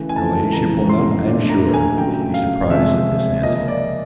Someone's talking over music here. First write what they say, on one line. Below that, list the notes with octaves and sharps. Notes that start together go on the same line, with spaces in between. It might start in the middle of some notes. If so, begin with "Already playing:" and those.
Your Ladyship will not, I am sure, be surprised at this answer.
Already playing: C#3 E3 A3
G#5
A5
F2 C#3 E3 G#3 A#5
C6
A#2 F3 A3 D4
A#5
G#5
C#3 F#3 A3 G5
F5
C3 F3 G#3 C4 E5
C#3 F3 A#3 C#4 D#5
D5